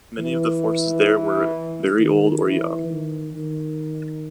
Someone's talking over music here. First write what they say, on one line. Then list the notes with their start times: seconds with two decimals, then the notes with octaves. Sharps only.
Many of the forces there were very old or young.
0.19 E3
1.99 D#3
2.43 E3
2.89 D#3
3.34 D#3